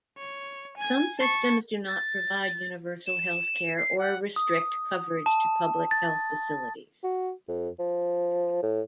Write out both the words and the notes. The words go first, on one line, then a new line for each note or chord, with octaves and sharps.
Some systems do not provide universal healthcare or restrict coverage to public health facilities.
C#5
G#5 G#6
A5 C#6
A6
E7
C7
F#5
D#6
A5
A6
F#4
F2
F3
A2